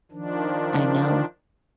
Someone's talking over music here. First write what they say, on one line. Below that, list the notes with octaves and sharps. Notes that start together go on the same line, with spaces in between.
I know.
D#3 F3 D4